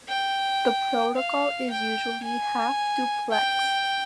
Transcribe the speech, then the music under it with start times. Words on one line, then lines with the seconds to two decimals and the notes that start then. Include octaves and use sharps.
The protocol is usually half-duplex.
0.08 G5
1.15 F5
1.70 G5
2.23 G#5
3.31 G5